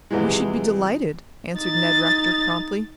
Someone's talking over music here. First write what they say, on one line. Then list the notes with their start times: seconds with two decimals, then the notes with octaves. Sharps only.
"We should be delighted," answered Ned Rector promptly.
0.11 E2 C3 E3 F3 G#3
1.58 D#4 A6